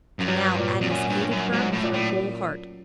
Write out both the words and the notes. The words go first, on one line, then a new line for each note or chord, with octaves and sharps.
And now Agnes hated her with her whole heart.
F#2
G2 F#3
A#2
F2
F#2 C#4
G2
C#4
F#2
G#2 F#3
A2
A#2
A2